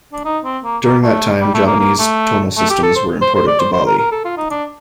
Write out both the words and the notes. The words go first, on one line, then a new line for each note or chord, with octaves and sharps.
During that time, Javanese tonal systems were imported to Bali.
D4
D#4
C4
A#3
A#3
A3
G3
A3
A#3
A#3
A3
A3
G4
A4
C5
C5
C5
D5
C5
C5
A#4
A#4
A4
F4
D#4
D4